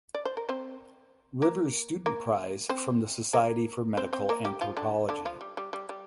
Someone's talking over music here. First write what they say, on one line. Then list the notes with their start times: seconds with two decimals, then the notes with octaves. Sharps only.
Rivers Student Prize from the Society for Medical Anthropology.
0.15 D5
0.25 C5
0.37 A#4
0.49 C4 C5
1.42 A#3 A#4
2.06 A#3 A#4
2.69 C4 C5
3.33 A#3 A#4
3.97 C4 C5
4.13 C4 C5
4.29 A#3 A#4
4.45 G3 G4
4.61 F3 F4
4.77 D3 D4
5.09 D3 D4
5.25 F3 F4
5.41 G3
5.57 G3
5.73 G3
5.89 G3